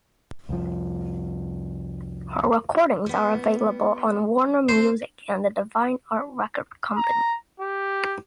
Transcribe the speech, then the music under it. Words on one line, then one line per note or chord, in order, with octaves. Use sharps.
Her recordings are available on Warner Music and the Divine Art Record Company.
C2 F2 F3
G3 B3
C4 D4 C5
A#5
G4